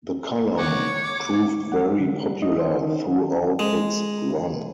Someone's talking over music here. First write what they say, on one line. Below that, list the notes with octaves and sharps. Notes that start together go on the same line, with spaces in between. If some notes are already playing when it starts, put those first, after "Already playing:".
The column proved very popular throughout its run.
D2 D#3 C#5 F#5 C#6 D6
D6
F#5
D3
G3
D#5
C5
D#3
G#3